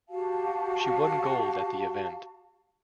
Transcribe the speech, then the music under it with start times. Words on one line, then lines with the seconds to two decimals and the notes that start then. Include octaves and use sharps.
She won gold at the event.
0.09 F#4 G4 F5 A5